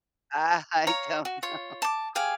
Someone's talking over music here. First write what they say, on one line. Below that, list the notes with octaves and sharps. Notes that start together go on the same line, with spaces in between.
Uh, I don't know.
C#5 F5 A#5
F#4
F4 C#5
A5 D6
G4 G#4 F5 G#5